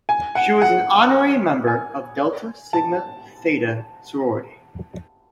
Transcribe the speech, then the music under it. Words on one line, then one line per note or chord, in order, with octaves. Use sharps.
She was an honorary member of Delta Sigma Theta sorority.
G#5
F#5
F#5
G#5
A5